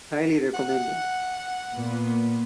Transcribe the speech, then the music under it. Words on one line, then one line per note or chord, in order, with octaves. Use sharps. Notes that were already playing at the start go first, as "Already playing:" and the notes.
Highly recommended.
F#5
A#2 B3